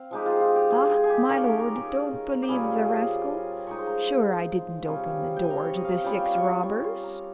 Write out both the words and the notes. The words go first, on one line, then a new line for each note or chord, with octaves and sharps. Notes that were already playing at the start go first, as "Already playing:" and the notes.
"Ah, my lord, don't believe the rascal; sure I didn't open the door to the six robbers."
Already playing: C4 F5
F3 G#3 D#4 G4
F4
F4
G4
G#4
G#4
G#4
G4
D#3 A#3 C#4 G4
A#4
A#4
G#4
G4
A#2 G3 C#4 F4 G#4
C5
D#5
F3 G#3 D#4 C#5
C6
A#5
C6
C3 G3 C#4 F4
G5
G#5
A#5
C6
C#6
D#5
F5
G3 A#3 C#4 F4 G5
C#6
C#6
C6
C#6
C6
A#5